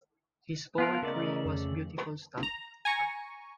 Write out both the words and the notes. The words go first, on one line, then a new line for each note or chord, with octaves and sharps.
His poetry was beautiful stuff.
B3 F4 A#4 E5 F5 A5
C#3 A3 A#4 D5 D#5
F2
A#5
G#5 A#5 C#6